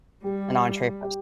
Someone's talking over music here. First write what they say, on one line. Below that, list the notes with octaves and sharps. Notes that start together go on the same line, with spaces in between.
an entrée first.
G3 G4
G4